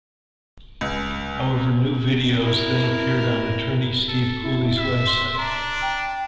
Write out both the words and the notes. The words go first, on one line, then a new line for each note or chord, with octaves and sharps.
However, new videos then appeared on attorney Steve Cooley's website.
C#2
E4 A#4
A4
E4
E5
C6
D4 A#5
G5